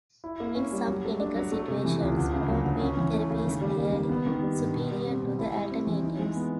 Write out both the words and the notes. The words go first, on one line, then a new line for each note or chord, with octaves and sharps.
In some clinical situations, proton beam therapy is clearly superior to the alternatives.
E4
A#3
C#4
G3
F#3
A3
D4
F#3
A3
C3
E3
C#2
D2
C#3
F#3
D2
C#4
E3
A3
C#3
D#3
G3
A#3
D#3
B3
D#3
G3
G2
B2
G3
C4
B2
E4
G3
C4
E3
D#4
G#3
B3